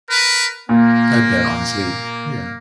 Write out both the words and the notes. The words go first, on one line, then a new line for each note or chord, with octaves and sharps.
I bet, honestly. Yeah.
A#4 B4
A#2 A#3